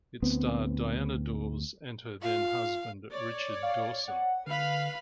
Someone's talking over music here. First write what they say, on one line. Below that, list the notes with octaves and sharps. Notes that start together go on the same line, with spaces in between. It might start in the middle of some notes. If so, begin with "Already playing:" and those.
It starred Diana Dors and her then husband Richard Dawson.
D2 B3 C4
F4 F5
C#5 D5
F5
F#5
D3 B4 F5 B5